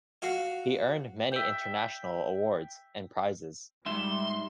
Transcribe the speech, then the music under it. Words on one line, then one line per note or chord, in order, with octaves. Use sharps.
He earned many international awards and prizes.
F#4 F5
E5 G5
G#2 G3 D#4 E5 C6